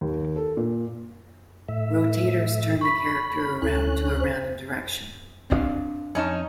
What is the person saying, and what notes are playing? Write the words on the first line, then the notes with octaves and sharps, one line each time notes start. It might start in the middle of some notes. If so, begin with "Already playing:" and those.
Rotators turn the character around to a random direction.
D#2
A4
A#2
A2 E5
B5 C#6 B6
D2 C#4 E4 A4 F#6
C5
C4 D4 F5
F2 C#4 D#4 A5